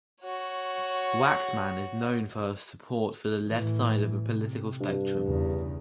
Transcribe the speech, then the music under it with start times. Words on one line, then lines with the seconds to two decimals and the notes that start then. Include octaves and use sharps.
Waxman is known for her support for the left side of the political spectrum.
0.21 F#4 C#5
3.49 A2 E3
4.26 C3
4.80 G2
5.24 E2 C#3